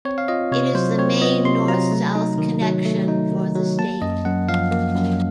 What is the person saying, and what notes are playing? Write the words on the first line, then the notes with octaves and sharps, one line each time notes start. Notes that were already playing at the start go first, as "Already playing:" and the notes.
It is the main north-south connection for the state.
C4 C#5
F5
F4 D#5
C3 C#5
F#3 C5
C4 C#5
F4 D#5
C3 C6
F#3 A#5
A3
D#4
D#3
F#3
A3
D#4
D#3
F#3
A#3 A5
F#2 D#5
F#2 F#5
F3 F5
A#3
F#2